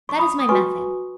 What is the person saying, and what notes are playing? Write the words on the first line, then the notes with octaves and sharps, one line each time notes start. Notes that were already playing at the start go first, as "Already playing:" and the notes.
That is my method.
C#6
B5 D#6
D#6
F#4 B4 G#5 C#6